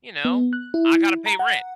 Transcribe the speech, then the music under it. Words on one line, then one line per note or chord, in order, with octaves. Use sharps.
you know, "I gotta pay rent,"
B3
F#6
E4
A#5
F#5